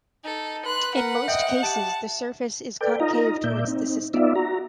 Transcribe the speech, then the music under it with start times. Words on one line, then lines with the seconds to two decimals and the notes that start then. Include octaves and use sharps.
In most cases the surface is concave towards the system.
0.24 D#4 A4
0.65 B4 C6 F#6
0.95 A#4 F#5
1.28 D#5 E5 G5
1.63 G4 A5
2.81 A4 B4 D5 G5
3.00 D#4 F4 D#5 A#5
3.44 A#2 A#3 D5 E5 G6
3.67 C4 D#4
4.14 B3 D#4 F4 D5 E5
4.35 F#4 A#5